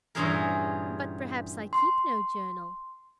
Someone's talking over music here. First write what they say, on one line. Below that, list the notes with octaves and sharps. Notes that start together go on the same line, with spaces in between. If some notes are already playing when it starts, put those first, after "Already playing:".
"But, perhaps, I keep no journal."
E2 G2 A#2 C#4 G#4 A#4
C6